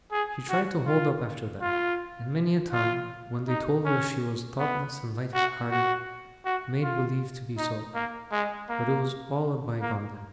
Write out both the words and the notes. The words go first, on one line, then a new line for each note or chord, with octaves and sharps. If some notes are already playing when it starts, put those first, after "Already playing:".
'She tried to hold up after that; and many a time, when they told her she was thoughtless and light-hearted, made believe to be so; but it was all a bygone then.
G#4
F#4
F4
F4
F4
D#4
C#4
B3
F#4
F#4
F#4
F4
D#4
A#3
G#3
A#3
A#3